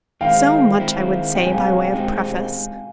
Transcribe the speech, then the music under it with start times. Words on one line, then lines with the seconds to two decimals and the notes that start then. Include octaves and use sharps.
So much I would say by way of preface.
0.21 D#3 G#3 C4 E4 F5 G5
0.78 D#3 G#3 C4 E4
1.35 B2 G#3 C4 D#4 G4 G5
1.45 G#5
1.54 F5 G5
1.92 B2 G#3 C4 D#4 G4